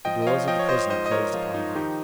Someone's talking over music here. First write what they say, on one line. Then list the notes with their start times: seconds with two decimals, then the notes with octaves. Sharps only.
The doors of the prison closed upon him.
0.05 F3 D#5 G5
0.22 D#5
0.27 F3 C#5 F5
0.48 F3 D#5 G5
0.59 C#5
0.69 F3 C5 D#5
0.90 G#2 C5 D#5
1.06 D#5
1.11 G#2 A#4 C#5
1.33 F3 F4
1.54 F3 D#4
1.75 D#3 D#4 G4